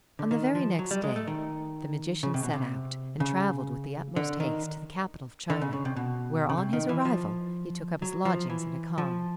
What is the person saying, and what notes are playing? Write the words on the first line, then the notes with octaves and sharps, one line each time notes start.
On the very next day, the magician set out and travelled with the utmost haste to the capital of China, where, on his arrival, he took up his lodgings in a khan.
D3
D#3
F3
F#3
G3
G#3
A3
D#3
C#3
C3
B2
C3
C#3
D3
D#3
D3
C#3
C#3
C3
B2
C#3
C3
D#3
E3
F3
F#3
F3
E3
F3